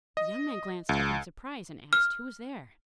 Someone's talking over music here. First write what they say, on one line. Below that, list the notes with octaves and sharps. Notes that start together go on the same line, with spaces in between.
The young man glanced up in surprise, and asked who was there.
D#5
C#2
F6